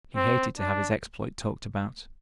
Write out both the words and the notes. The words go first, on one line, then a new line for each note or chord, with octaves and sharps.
He hated to have his exploit talked about.
C4
D4